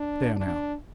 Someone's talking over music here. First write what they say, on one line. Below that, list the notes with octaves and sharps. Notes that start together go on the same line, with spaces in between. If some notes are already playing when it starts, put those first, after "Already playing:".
There, now.
Already playing: D4
D4